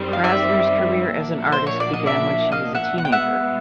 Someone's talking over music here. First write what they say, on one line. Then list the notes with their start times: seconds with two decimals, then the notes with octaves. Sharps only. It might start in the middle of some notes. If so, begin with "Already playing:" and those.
Krasner's career as an artist began when she was a teenager.
Already playing: F#2 D#3 G3 C4
0.13 F5
0.24 D5 E5
1.15 A#2 F3 A#3 D4 F#4
1.52 C5
1.67 C#5
1.80 D5
1.93 D#5
2.06 D5 E5
2.52 D#5 F5
2.75 E5 F#5
2.98 B2 G#3 B3 F#5
3.05 G5
3.12 E5 F#5